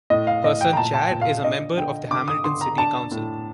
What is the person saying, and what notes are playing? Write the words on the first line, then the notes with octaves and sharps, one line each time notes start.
Her son Chad is a member of the Hamilton City Council.
A2 D#5
F5
A2 D#5
G5
A#5
A#2 A5
A5
G5
A#2
F5
D4 D#5
D3 G5
D3 D6
D#6
D3 C6
A#5
D4 A5
A2